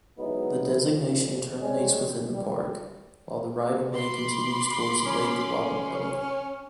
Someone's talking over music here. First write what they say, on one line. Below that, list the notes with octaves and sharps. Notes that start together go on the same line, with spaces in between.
The designation terminates within the park, while the right-of-way continues towards Lake Wappapello.
F#3 G#3 B3 D#4 E4
A#1 F2
G3 G#3 C#4
G3
B5 C6 D6
C#4